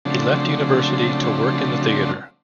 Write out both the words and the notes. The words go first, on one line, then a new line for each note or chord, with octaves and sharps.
He left university to work in the theater.
C#3 F3 F#3 A3 C4 D4